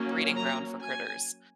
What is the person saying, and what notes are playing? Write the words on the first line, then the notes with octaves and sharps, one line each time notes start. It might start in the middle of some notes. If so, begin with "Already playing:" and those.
breeding ground for critters.
Already playing: F#3 A#3 C#4
A#5
G#5